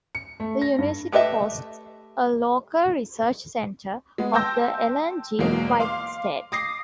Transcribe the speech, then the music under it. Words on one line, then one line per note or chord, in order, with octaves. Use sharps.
The university hosts a local research centre of the Ellen G. White Estate.
C#7
A3
A#6
G2
A3 G4 B4 D#5 E5
G#3 B3
G5 A5 C6 E6 G6 A#6
E2 B2 F#3 G#3 A#3
F5 C6 D6
D6 D#6 A#6 C7